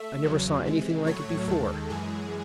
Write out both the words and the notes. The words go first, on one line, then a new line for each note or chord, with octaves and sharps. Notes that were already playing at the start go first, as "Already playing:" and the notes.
I never saw anything like it before.
Already playing: A3 E5
E2 C#3 F#3
C3 E3 G#3
A2 F#3 A3 C#5
D#2 D#3 G#3 A4
F#2 E3 G#3 G#4